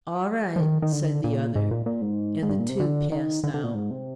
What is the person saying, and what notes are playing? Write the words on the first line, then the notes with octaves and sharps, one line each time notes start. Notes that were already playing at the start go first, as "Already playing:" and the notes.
"All right," said the other, and the two passed out.
F3
D#3
D#3
D3
A#2
G#2
A#2
A#2
G#2
G#2
G2
A#2
C3
D3
D#3
D3
D3
A#2
G#2
C3